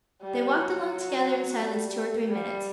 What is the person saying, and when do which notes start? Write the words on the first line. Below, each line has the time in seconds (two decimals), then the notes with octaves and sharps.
They walked along together in silence two or three minutes.
0.22 G3
0.57 F#3
1.61 G3
2.30 G3